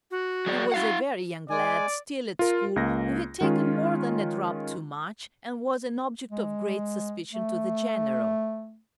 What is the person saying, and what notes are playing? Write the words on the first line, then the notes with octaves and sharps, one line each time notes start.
He was a very young lad, still at school, who had taken more than a drop too much, and was an object of great suspicion to the general.
F#4
F#3 G#4 D5
E4 F5 F#5
G#3 D5 G#5
F4 A#4
C#2 A#3 A#6
D#3 G#3 C#4 F4
G#3
A3